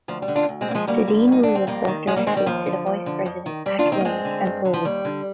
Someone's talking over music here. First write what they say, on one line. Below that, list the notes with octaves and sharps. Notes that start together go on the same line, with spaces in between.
The dean will report directly to the vice president, academic and provost.
D2 F3
G3
D3
D4 F4
D2
G#3 C4
D3
A#3
F3 G#3
D2 G3 A#3
D3
D2 D#4
D3 D4
C4
F2 G3 A#3
D#3
F2 F3 G#3
G3 A#3
D#3 G#3 C4
G3
D#2 F3
D3
D#2
D3
F2
D#3
F2 G3
D4 F4
D#3
C4 D#4
A#3
G2 G#3 C4
D3
G2
D3
F3
D#2 G3
D3